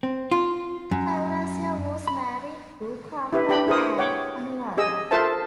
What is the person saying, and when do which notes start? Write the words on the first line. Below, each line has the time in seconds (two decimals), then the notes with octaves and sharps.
Chaurasia was married to Kamla and Anuradha.
0.03 C4
0.32 F4
0.91 F#2
2.07 B5
3.33 E4 G4 B4
3.49 D4 G4 B4 G5 B5
3.67 E4 G#4 A#4 C5 D#6
3.98 C#5 F#5 G5 D6
4.77 G4 G#4 D#5 E6
5.11 F4 A4 A#4 C5 E5 A5